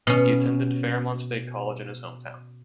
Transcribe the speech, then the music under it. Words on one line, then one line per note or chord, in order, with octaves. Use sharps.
He attended Fairmont State College in his hometown.
B2 C#4